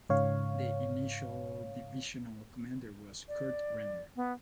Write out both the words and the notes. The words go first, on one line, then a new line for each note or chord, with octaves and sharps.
The initial divisional commander was Kurt Renner.
G#2 C#3 C#5 F5
D5
B3